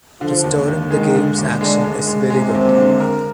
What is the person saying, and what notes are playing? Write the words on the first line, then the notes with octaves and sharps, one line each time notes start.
Restoring the game’s action is very good.
D3 F3
D#2
D#2
D#3 G#3
D3
D#2
D3 G#3
G#3
G#3
C3 G#3
D#2
D3
A#4